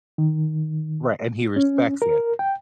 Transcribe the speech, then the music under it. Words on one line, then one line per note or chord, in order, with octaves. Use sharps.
Right, and he respects it.
D#3
C#4
A#4
G5